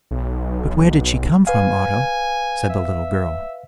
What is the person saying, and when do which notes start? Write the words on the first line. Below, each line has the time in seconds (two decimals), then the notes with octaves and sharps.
"But where did she come from, Otto?" said the little girl.
0.11 B1
1.47 B4 F5 G#5
2.69 E5